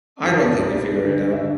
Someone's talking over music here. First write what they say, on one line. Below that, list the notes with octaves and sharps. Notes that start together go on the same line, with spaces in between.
I don't think we figured it out.
F#2 E3 A4
D5
C2 B2 D5
D2 D3
G2 D3 E5